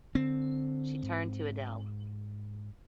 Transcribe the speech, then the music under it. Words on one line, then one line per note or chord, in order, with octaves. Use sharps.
She turned to Adele.
D3 C4
G#2